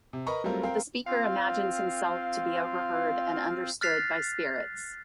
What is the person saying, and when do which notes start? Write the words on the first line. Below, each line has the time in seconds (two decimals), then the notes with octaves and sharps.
The speaker imagines himself to be overheard and understood by spirits.
0.13 C3
0.26 A#4 B4 D#5 A#5 B5 C#6
0.44 F#3 G3 A3 C4 F4 A#4
0.63 C4 A#4 F5 G5
1.06 C4 F4 F5
3.81 F6 F#6 A6 B6 C7 F7